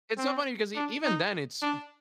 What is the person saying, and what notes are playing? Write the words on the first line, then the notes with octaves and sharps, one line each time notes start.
It's so funny because e even then, it's,
C4
D4
D#4
D4